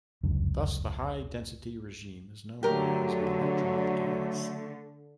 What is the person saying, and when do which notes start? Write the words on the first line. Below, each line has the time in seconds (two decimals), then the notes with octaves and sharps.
Thus the high-density regime is known as an "electron gas".
0.23 F1 C#2 F#2 D4
2.63 D3 F#3 A3 G4 A#4